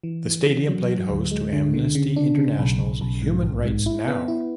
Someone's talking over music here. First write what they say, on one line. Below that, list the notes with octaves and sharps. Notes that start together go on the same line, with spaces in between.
The stadium played host to Amnesty International's Human Rights Now!
E3
E3
E3
F#3
F#3
D2
G#3
D3
D3
C#3
D4
C#3
B1
B1
B1
G#2
A1
G#2
E4
B3
E4